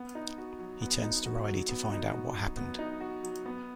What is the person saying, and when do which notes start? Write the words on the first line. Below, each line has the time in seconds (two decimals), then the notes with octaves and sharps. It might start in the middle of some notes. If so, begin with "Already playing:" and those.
He turns to Riley to find out what happened.
Already playing: B3
0.15 D#4
0.38 F#4
0.59 F#3
0.82 B3
1.03 D#4
1.26 F#4
1.47 F#3
1.69 B3
1.92 D#4
2.13 F#4
2.35 F#3
2.57 B3
2.79 D#4
3.01 F#4
3.23 F#3
3.46 B3